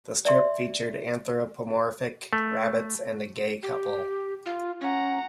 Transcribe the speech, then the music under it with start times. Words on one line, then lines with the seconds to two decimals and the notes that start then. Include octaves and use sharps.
The strip featured anthropomorphic rabbits and a gay couple.
0.25 D5 E5 C6
2.33 A3
3.63 G4
4.46 F4
4.81 C#4 F#5 A#5